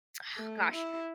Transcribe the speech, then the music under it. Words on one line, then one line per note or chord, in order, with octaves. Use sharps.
ugh, gosh,
A3
E4